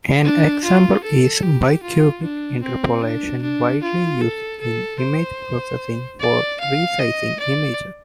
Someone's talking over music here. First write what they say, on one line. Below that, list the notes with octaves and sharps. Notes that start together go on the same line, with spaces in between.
An example is bicubic interpolation, widely used in image processing for resizing images.
D4
F4
A4
G4
F4
D4
C4
D4
D4
F4
A4
A4
C5
D5
F5
D#5
D5